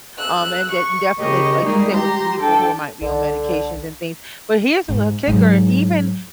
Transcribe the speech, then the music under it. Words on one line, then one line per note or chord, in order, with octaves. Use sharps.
Um, and de definitely, like you said, with people who might be on medications and things. But here's, uh, the kicker, even
E6 F#6
C#6
C#3 A#3 G4 D#5 C#6
G3 G#3 A#3 D#4
G4 A#5 C6
D4 A4 G5
C2 D3
G#2
G#2 F#3